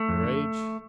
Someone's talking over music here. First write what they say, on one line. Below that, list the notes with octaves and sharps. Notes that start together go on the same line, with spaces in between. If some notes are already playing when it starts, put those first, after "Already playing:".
"Your age?"
Already playing: A3
F2
D3